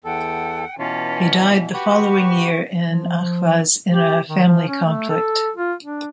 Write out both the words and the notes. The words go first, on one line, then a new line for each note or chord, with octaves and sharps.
He died the following year in Ahvaz in a family conflict.
E2 A4 F#5 G5
B2 E3 C#4 F4 A5
F#4 G4 B4 C#6
F3
G4
D#3
F3
C#4
A3
A4
F4
D4